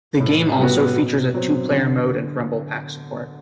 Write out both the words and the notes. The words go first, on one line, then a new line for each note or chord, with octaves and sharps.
The game also features a two-player mode and rumble pack support.
A2
G3 B3 F#4
B2
F#3 C4
D3